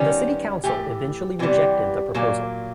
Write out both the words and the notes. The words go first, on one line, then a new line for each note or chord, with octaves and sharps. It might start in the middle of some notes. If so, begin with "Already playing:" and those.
The city council eventually rejected the proposal.
Already playing: D#3 G3 B3 C#4
A2 E3 A3 G4
C3 E3 G3 B3
A#2 F#3 A#3